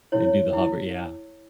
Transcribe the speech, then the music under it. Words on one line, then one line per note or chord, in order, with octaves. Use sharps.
And do the hover, yeah.
E4 C#5
E4